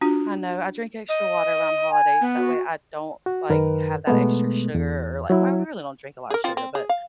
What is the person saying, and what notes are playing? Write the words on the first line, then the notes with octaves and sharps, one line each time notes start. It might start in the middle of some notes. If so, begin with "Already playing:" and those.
I know, I drink extra water around holidays, that way I don't, like, have that extra sugar or, like well, I really don't drink a lotta sugar, but
D4 F4 F#4
D#5
G#5
B3
F#4
F#4
F#2 D#3 A#4 B4
B2 G#3 A3 B3
E2
F#3 E4
G#4 A#4
F3 C4 F4
C4
G#4
F5